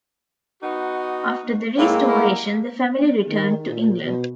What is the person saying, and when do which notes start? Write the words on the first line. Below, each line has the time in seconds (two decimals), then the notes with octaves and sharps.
After the Restoration the family returned to England.
0.63 B3 D#4 F#4
1.78 A2 G#3 A#3 C4
2.08 B3 E4 A#4
3.28 D#3
3.68 A#2
4.02 B2